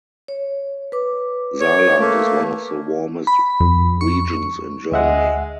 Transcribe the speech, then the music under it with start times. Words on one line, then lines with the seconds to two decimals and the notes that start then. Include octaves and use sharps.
Saarland is one of the warmest regions in Germany.
0.28 C#5
0.92 B4 D6
1.61 C#5
1.99 A3 A#3
3.27 B5
3.60 F2
4.01 C#6
4.92 D2 G#3 E5 F#5